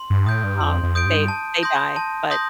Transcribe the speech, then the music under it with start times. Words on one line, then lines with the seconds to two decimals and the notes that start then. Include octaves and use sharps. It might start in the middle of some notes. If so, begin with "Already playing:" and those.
um, they they die, but
Already playing: C6
0.10 G2
0.27 A2 D#6 G6 D7
0.44 G2
0.61 F2 C6
0.83 F2
0.95 D#6 G6 D7
1.06 G2
1.28 A5
1.63 C6 D#6 G6 A#6
1.96 A5
2.31 C6 D#6 G6 A#6